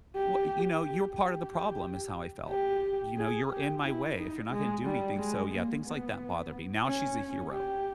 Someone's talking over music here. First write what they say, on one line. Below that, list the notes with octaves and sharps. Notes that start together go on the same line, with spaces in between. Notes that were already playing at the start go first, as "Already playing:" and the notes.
W you know, "You're part of the problem," is how I felt. You know, "You're in my way. If you're not gonna do anything," so yeah, things like that bother me, now she's a hero,
G4
G4
G4
G4
G#4
G4
E4
D#4
G#3
G3
G#3
A#3
B3
C#4
G4